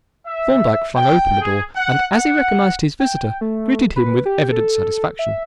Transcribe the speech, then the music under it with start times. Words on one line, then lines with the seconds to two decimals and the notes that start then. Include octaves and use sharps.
Thorndyke flung open the door, and, as he recognized his visitor, greeted him with evident satisfaction.
0.26 E5
0.95 G5
1.41 G#4
1.75 F#5
2.13 F#5
3.00 G5
3.41 A3
3.96 B4
4.26 G4
4.52 A4
5.19 E5